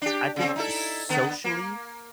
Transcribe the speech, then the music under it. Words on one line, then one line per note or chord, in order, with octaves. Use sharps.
I think socially,
D4 G4
C#3 C4
D#4 E4 A4
D3 B3
A#3